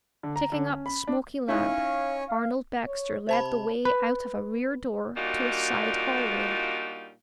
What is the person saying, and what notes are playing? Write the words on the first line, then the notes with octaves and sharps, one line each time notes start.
Taking up the smoky lamp, Arnold Baxter led the way out of a rear door to a side hallway.
D3
A#5
D3
C#4
B5
D4
C#4 D#4 E4 C#5 F5
F5
C#5
C3 C5 A5 B5
B4
A#2 G3 D4 D#4 F4 F#4